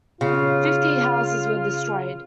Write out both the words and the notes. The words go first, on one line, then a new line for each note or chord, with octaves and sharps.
Fifty houses were destroyed.
C#3 F4